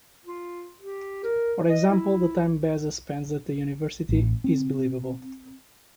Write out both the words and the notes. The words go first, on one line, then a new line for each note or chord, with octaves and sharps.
For example the time Besa spends at the university is believable.
F4
G4
A#4
D#5
E4
A1
C4